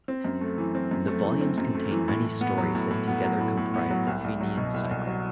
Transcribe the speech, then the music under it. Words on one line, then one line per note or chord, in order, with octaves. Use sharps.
The volumes contain many stories that together comprise the Fenian Cycle.
C4
F#2
A3
E3
C4
F#2
A3
E3
C4
F#2
A3
E3
A2
A2
B3
F#3
A2
A2
B3
F#3
A2
A2
B3
F#3
C2
C2
F#3
B2
C2
C2
F#3